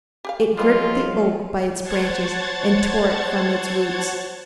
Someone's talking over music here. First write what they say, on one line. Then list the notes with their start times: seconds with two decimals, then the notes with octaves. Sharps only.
It gripped the oak by its branches and tore it from its roots.
0.25 G4 G#4 F5
0.57 F3 F#3 G#3 A#3 B3 C#4 F4
1.83 C5 C#5 F#5 A5 G#6 A6